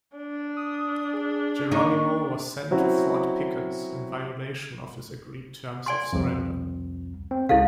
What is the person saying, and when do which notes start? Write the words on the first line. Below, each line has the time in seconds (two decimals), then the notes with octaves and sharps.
Geronimo was sent to Fort Pickens, in violation of his agreed terms of surrender.
0.16 D4
0.56 D#6
1.14 G#4
1.72 A#3 D#4 C#6
2.71 F#3 C4 C#4 E4 F#4
5.86 D5 G#5 C6
6.13 C2 F2
7.31 C4
7.49 C#2 C#3 E4 A4 F5